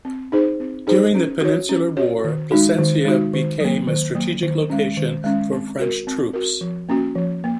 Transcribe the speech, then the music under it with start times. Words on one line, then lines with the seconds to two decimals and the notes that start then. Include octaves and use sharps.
During the Peninsular War, Plasencia became a strategic location for French troops.
0.05 C4
0.32 D#4 G#4 C5
0.60 C4
0.87 D#4 G#4 C5
1.15 C#4
1.41 F#4 C#5
1.69 C#4
1.97 F#4 C#5
2.24 D#3
2.51 G#3 D#4 F#4
2.79 D#3
3.05 G#3 D#4 F#4
3.33 D#3
3.61 F#3 A#3
3.87 D#3
4.15 F#3 A#3
4.43 D#3
4.70 G#3 C#4
4.97 D#3
5.24 G#3 C#4
5.52 C4
5.79 F#4 A#4
6.07 C4
6.33 F#4 A#4
6.61 F3
6.89 A#3 C#4 F#4
7.15 F3
7.44 A#3